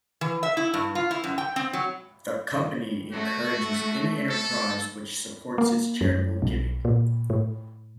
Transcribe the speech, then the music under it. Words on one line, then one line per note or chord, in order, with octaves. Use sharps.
The company encourages any enterprise which supports its charitable giving.
E3
E5
E4
G2
F4
E4
F#2
G5
C4
F#3
A3 F#4
A4
A#3
F#2
B1
A#2
A2